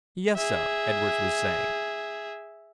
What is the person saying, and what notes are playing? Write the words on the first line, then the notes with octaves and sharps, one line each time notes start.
"Yes, sir," Edwards was saying.
G#4 E5